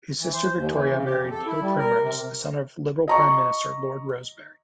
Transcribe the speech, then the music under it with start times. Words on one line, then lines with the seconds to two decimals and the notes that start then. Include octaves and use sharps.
His sister Victoria married Neil Primrose, the son of Liberal Prime Minister Lord Rosebery.
0.20 E3
0.33 C5
0.55 D#2
0.71 E3
0.92 C#3
1.04 G4
1.18 F2
1.31 A4
1.46 E4
1.61 G3
1.79 A#4
2.02 C3
3.08 D#5 A#5 C#6